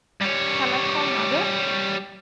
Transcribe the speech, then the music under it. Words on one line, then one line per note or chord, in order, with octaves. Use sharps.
Shall I call mother?
G3 C#5